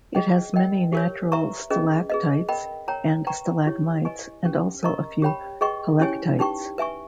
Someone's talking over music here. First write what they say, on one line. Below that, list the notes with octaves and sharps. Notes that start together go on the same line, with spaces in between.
It has many natural stalactites and stalagmites, and also a few helictites.
G#4 D#5 G5
A#4 D#5 G5
G4 A#4 C#5
B4 E5 A#5 C#6
C#4 G#4 B4 D#5
G#4 B4 D#5
A#4 D#5 G5 B5
A#4 C#5 G5 A#5
B4 G5 A#5 C#6
E4 G4 C#5
B4 D#5 G#5 C#6
C#4 G4 B4
A#4 D#5 A#5 C#6
G4 C#5 G5 B5
G#4 B4 D#5 G5 C#6
C#4 E4 G4 C#5 G#5
D#4 G4 B4 G5 C#6
B4 E5 G#5 C#6